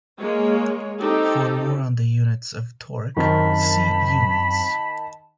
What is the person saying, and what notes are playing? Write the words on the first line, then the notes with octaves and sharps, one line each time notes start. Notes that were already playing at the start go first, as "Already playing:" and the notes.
For more on the units of torque, see Units.
G#3 A#3 C#5
C4 D#4 G4 A4
F#2 D#3 C4 A#4 A5 B5